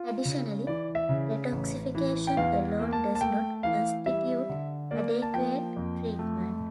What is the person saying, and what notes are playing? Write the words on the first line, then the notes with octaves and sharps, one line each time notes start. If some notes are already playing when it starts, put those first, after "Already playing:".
Additionally, detoxification alone does not constitute adequate treatment.
Already playing: F4
C#3
E3 D5
E5
C#3
A1
E3
G5
E2 F5
A#3
A5
A5
A3 G5
E3 F5
G3 E5
D3
A#3 D5
A5
F3 G5
F2
A3